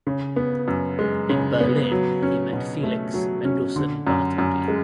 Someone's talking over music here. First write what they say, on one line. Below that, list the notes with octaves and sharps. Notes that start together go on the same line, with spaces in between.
In Berlin he met Felix Mendelssohn Bartholdy.
C#3
B3
F#2
G#3
C#3
B3
F#3
C#4
B2
A3
F#3
C#4
D3
F#2
F#2
G#3